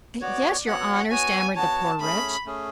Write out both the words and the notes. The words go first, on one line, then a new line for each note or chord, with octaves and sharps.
"Yes, your Honour," stammered the poor wretch.
B3 F#4 C#5 D5
B3 F#4 C#5 F#5
B3 F#4 C#5 G#5
B3 F#4 C#5 A5
A3 C#4 G#4 B5
A3 C#4 G#4